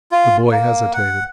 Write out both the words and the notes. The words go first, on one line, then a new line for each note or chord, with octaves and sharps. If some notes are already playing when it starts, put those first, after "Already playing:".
The boy hesitated.
F4
A#3
F#5